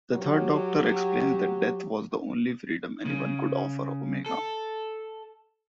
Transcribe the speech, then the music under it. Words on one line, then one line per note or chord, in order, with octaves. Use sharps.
The Third Doctor explains that death was the only freedom anyone could offer Omega.
F#3 G4
C#3
A4